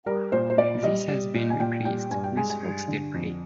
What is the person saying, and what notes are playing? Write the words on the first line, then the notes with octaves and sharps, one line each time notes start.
This has been replaced with Foxtel Play.
G3 A#4
A#2 C5
C5
A#2 D5
G3 D#5
G3
A#2
G#5
A#2 G5
G3 G5
G2 G#5
G5
G#3 G#5
G#5
G2
D3
F2